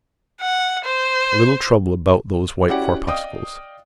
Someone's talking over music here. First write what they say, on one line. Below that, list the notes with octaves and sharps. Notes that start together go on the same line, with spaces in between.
A little trouble about those white corpuscles.
F#5
C5
C#4 E4 F#4 G4 D5 F#5
D5 D#5 F5 G5 D#6